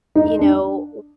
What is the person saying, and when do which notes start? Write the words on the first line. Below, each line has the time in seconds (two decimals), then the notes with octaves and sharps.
you know,
0.15 D#4
0.39 D4